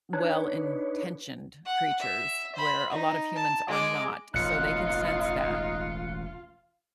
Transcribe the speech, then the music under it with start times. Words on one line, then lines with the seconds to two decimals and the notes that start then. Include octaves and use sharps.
well-intentioned creatures where a lot of humans are not. So, they can sense that
0.13 D4 D#4 B4 C#5
1.66 F#5
2.00 E5
2.56 C5 B5
2.91 D#4
3.35 A5
3.68 G#3 D6
4.34 E1 A1 D#4 F4 F#6 C#7